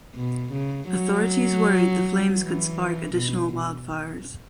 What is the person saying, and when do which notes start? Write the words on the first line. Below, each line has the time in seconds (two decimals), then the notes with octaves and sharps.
Authorities worried the flames could spark additional wildfires.
0.15 B2
0.53 C#3
0.91 F#3
2.38 E3
3.14 B2